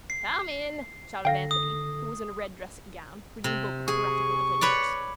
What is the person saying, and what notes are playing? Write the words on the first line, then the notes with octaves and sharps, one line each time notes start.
"Come in," shouted Anthony, who was in a red dressing-gown, reading a book of piratical adventures.
C7
D3 A4 F5 G5 A#6
D#6
C3
G#4 C#6
B4 C#5 D5